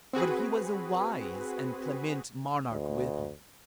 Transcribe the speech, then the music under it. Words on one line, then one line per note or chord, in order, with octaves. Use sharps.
But he was a wise and clement monarch withal.
C4 F#4 G#4 B4
D2